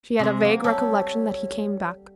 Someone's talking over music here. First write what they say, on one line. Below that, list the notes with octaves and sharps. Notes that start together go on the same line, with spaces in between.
She had a vague recollection that he came back.
C3 G#3
F#3 A#3
G3 A4 C#5